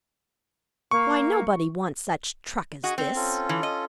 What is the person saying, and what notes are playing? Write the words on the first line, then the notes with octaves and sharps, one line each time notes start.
Why, nobody wants such truck as this.
A#3 C#6
F#4 G#4 D#5 D#6
C4 F#5 E6
C#4 F4 A4
E3
D#5